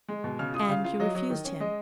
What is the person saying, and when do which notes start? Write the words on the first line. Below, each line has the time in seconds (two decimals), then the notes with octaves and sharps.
'And you refused him?'
0.08 G#3
0.24 B2
0.39 C#3 F6
0.54 F4 D#6
0.69 C#3 F5
0.84 F4 F5
1.00 F#3 D#5
1.15 F#3
1.30 D#3
1.45 C#4
1.60 G#3 D#5